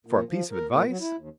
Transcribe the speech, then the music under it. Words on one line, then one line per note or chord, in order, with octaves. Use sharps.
For a piece of advice!
A#2
F3
A#4
A#2
F#3
E4
D#2